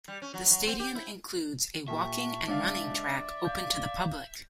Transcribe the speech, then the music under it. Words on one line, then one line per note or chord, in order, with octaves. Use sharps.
The stadium includes a walking and running track open to the public.
G3
C#4
F#3
F#3
C4
G4
E4
A#2 G4 E5 A5 C#6
C#2 D4 D5 F5
F5 G6